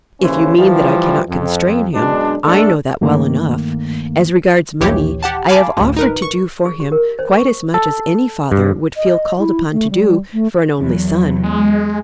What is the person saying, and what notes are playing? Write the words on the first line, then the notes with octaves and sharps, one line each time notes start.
"If you mean that I cannot constrain him, I know that well enough. As regards money, I have offered to do for him quite as much as any father would feel called upon to do for an only son."
G#1 D#2 C#3 E3 C#4 C5
E3 F3 G3
F2
F#2 B2 G#3 D4
G#3 A3 D4 A4
G2 D#3 A3 A#3
A#1 D#2 E3 G4 C#5
G4 F#5 A5
F5 G#5 A5 B5 D6
A1 D2
D#4 A#4 B4
C#6
G#4
G4
A#4
C5
C#6
A4
G2
D#5
E4
A3
G3
A3
E2 F#3
G#3